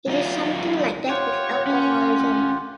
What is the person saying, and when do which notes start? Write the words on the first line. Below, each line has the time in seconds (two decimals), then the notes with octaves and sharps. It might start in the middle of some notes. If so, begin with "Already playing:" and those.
It is something like that with alcoholism.
0.08 F#2 D#4 F4
1.09 F4 G4 C#5 F#5
1.67 C#4